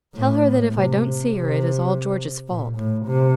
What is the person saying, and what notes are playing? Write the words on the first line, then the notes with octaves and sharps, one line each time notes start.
Tell her that if I don't see her it is all George's fault.
A2
C3
C3
A#2
A2
C3